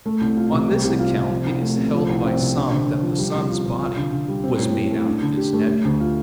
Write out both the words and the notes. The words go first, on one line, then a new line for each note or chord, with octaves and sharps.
On this account it is held by some that the sun's body was made out of this nebula.
A3
C2
F4
C3
G3
C2
F4
C3
F3
C2
A3
C3
F3
C2
C4
C3
D4
D3
D3
F3
G3
C2
F4
C3
F4
D3
D3
G3
C4
A2
A2
A3
D4
D3
G4
A3
A3
D2
F4